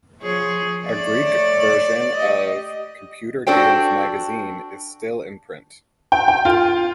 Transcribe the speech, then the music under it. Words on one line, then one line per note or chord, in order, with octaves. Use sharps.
A Greek version of "Computer Games Magazine" is still in print.
F3 G#4 C#5
A3 C#5 D5
G4 D#5
D4 F#4 A4 C5 G5
G5
G5
F4